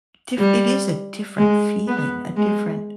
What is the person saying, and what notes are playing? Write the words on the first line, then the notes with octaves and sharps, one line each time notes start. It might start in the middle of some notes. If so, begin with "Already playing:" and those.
diff it is a different feeling, a different
G3
G#3
B3
G#3